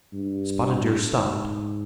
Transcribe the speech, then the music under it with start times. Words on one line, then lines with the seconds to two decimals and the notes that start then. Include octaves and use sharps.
Spotted Deer stopped.
0.13 G2
1.08 G#2